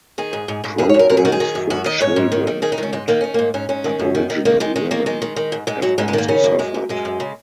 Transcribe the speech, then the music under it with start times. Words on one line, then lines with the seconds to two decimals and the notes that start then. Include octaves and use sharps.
Programs for children and Aboriginal women have also suffered.
0.18 D#3 G#4
0.33 G#2
0.48 G#2
0.64 G#2
0.78 F#2 G#4
0.89 C#5
0.94 F#2
0.99 A#4
1.10 F#2 A#4
1.17 G#4
1.25 D#3 F#4
1.32 G#4
1.40 D#3
1.55 F#2
1.70 F#2 F#4
1.86 D#3 D#5
2.01 G#2 C#5
2.16 G#2
2.32 D#3
2.47 D#3
2.62 D#3 G#4
2.72 D#4
2.78 D#3 C#4
2.93 G#2 G#3
3.08 D#3 A#3
3.21 D#3 C#4
3.34 G#2 A#3
3.54 G#2 C#4
3.69 G#2 C#4
3.84 D#3
3.99 F#2
4.15 D#3
4.30 D#3
4.45 D#3 A#3
4.60 D#3 G#3
4.76 D#3 G#3
4.91 D#3 A#3
5.06 D#3 G#3
5.22 D#3
5.36 D#3
5.52 G#2
5.67 G#2 G#3
5.82 G#2 F#3
5.98 G#2 G#3
6.08 G#3
6.13 D#3
6.18 A#3
6.28 C#3 C#4
6.44 F#2 A#3
6.59 F#2 G#3
6.74 F#2
6.89 F#2 G#3
7.05 F#2
7.20 C#3